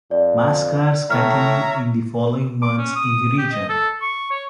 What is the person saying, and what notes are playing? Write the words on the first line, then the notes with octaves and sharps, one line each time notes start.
Massacres continued in the following months in the region.
F2 D5
A2 C#5 E5 A#5 F6
D6
C#4
D#6
G4
D#5
A4
C#6
C#5